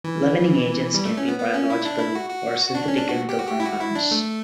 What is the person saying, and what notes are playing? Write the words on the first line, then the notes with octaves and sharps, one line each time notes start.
Leavening agents can be biological or synthetic chemical compounds.
E3
G3
A3
C#4
B3
B3
C#4
E4
D4
E4
F#4
F#4
D4
C#4
D4
F#4
G4
F#4
G4
E4
F#4
E4
D4
A3